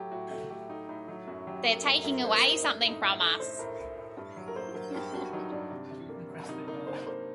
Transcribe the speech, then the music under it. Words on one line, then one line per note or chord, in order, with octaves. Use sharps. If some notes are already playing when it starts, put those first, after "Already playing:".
They're taking away something from us.
Already playing: A2 F#3 A3 F#4 G4
A2 F#4
A3 F#4
A3 G4
A3 D#4
A2 D#4
F#3 D#4
F#2 F#4
F#3 G4
A#3 A4
F#2 A#4
F#2 A#4
A#3 C5
A#4
F#2
D#4
A3 D4
A2
D#4
A2 D#4
A2 A4
A3 C5
A2 A#4
A2
A2
G2
F#3
A#4
A#3 C5
F#3 A#4
G2 G4
G2 F#4
F#3 D#4
G2 D4
C3
C3
A#3
F#3
C3 D#4
A#3 D#4
A#3 C5
A#3 C5